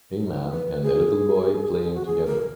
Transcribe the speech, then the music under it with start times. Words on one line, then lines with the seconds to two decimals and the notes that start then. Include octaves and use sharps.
A man and a little boy playing together.
0.20 D#4
0.50 B4
0.82 G#4
1.94 F#4
2.06 G#4
2.26 A#4